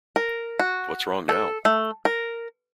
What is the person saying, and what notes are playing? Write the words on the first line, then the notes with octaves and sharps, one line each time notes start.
What's wrong now?
A#4
F#4
A4
A3
A#4